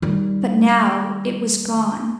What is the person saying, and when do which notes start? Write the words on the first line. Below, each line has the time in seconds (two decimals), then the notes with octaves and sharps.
But now it was gone.
0.02 D#3 G3